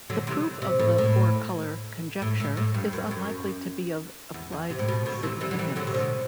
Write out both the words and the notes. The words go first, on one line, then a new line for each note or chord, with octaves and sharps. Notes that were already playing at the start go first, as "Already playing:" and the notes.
The proof of the four-color conjecture is unlikely to be of applied significance.
D3 F#3
C3 E3
C3
A2
A2
A2
A2
A2
G2
F#2
F#2
E2
E2
C3
A2
B2
B2 D3
C3 E3
E3 G3
F#3
E3 G3
D3 F#3
C3
B2 D3